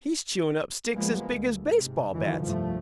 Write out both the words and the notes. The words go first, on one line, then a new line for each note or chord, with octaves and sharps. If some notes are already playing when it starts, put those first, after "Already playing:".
He's chewin' up sticks as big as baseball bats!
F3 G3 G#3 A#3 B3
D2
G#2 C3
F#2 D#3 E3 F#3
F1 C2 G2 F3 G3 A3